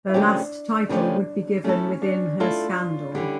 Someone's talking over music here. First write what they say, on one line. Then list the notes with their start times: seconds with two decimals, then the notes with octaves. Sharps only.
Her last title would be given within her scandal.
0.09 E4
0.14 C#3 F3 A3 C#4 D4 G4
0.89 C#3 F3 A3 C#4 D4 G4
1.64 A3 C#4 E4 A4
2.02 D4
2.40 A3 E4 F4 A4
3.15 D3 G3 C#4 E4 G4